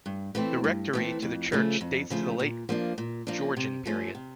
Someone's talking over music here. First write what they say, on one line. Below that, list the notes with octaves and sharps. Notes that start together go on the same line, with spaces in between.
The rectory to the church dates to the late Georgian period.
G2
E3 A3 C4
G2
E3 A3 C4
F2
C#3 F3 A3
F2
C#3 F3 A3
A#2
F3 A#3 D4
A#2
F3 A#3 D4
C3
F3 A3 C#4
C3